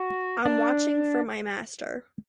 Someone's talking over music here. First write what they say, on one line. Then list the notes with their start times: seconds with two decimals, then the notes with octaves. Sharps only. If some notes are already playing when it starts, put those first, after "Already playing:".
I'm watching for my master.
Already playing: F#4
0.46 D4